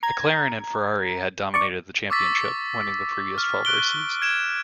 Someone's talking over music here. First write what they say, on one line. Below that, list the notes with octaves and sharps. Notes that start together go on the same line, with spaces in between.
McLaren and Ferrari had dominated the championship, winning the previous twelve races.
A#5 G#6
D5 C#6
C#6 D6 E6 A6 B6
F6
C#6 F#6 D7 G7
G#6 D7 E7 G7